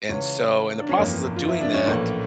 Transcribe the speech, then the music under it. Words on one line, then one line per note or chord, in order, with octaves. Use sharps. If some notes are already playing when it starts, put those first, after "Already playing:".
And, so, in the process of doing that,
C#2 C#3 E3 C#4
D4
C#4
G1 F2 E3 A#3
F4
E4
D4
C#4
A#1 A2 E3 A#3